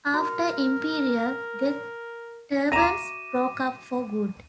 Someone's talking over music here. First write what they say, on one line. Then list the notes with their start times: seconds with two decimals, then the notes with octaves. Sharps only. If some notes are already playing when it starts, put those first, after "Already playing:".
After Imperial, the Turbans broke up for good.
0.14 F#4 A#4
2.72 F#4 E5 A#5 D6 A#6 D#7 E7